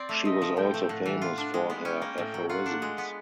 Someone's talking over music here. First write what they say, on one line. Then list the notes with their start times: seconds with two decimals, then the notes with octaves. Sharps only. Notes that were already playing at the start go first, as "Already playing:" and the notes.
She was also famous for her aphorisms.
Already playing: C4 D5
0.09 A3
0.25 C3 D#5
0.42 F3
0.57 A2 G5
0.74 A3
0.89 A2 F#5
1.06 E3
1.22 F4
1.38 D4
1.54 G#3
1.70 B3
1.85 C#4 G5
2.02 A#3
2.18 A2
2.34 F#3
2.49 F4 F#5
2.66 D4
2.82 G#3
2.98 B3